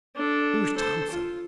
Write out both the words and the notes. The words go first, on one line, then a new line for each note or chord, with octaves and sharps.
"Who's Thompson?"
D4 A4
A4 C5
F4